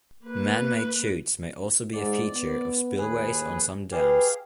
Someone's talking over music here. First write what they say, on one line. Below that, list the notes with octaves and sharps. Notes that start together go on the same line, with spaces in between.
Man-made chutes may also be a feature of spillways on some dams.
A#3 B4
G#2 D5
B3
D#2 G#4 B4
G4 G#4 B4 F5